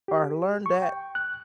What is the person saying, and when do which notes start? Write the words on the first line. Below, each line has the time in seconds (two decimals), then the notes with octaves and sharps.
or learned that
0.08 G4
0.66 C#6
0.82 G5
1.15 F#6